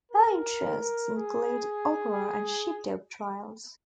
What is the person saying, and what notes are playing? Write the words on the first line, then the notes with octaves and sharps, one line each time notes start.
Her interests include opera and sheepdog trials.
A#4
A#4
G#4